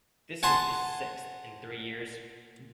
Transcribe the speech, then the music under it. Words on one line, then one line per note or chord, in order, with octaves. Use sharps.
This is the sixth in three years.
F#5 G#5 A5 C6